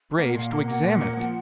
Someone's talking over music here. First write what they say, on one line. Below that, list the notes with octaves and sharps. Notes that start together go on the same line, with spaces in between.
Graves to examine it.
A#3 F#5
A#2 F5
A#3 F#5
A#3 F#5
A#2
A#3
F3